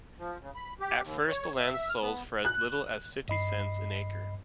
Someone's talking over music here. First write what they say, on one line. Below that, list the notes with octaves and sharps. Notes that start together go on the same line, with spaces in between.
At first the land sold for as little as fifty cents an acre.
F3
C#3
B5
G4
D#2
C#5
E5
F6
B3
F#6
G2 D#5 B5 C7